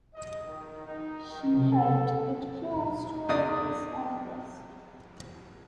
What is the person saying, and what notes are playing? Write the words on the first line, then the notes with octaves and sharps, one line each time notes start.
She held it close to her face and breast.
D#5
D#3
D#4
D#3
A4
E2 C#3 D5 D#5 D#6